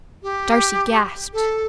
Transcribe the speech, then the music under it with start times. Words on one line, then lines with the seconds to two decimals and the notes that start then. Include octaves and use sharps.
Darcy gasped.
0.23 G4
1.33 A4